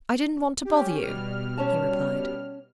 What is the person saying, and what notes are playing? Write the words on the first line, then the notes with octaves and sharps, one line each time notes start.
"I didn't want to bother you," he replied.
C#4 G4
B2 G3 F6
C#4 C#5 A5